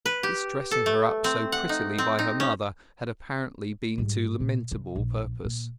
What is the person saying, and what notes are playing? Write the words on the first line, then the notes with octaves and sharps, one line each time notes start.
This dressing her up so prettily by her mother had apparently been to lamentable purpose.
B4
G4
A4
A3
C4
F#5
D#4
C4
D#4
C#4
G#2 G3
A#2
C3
A#1
A#2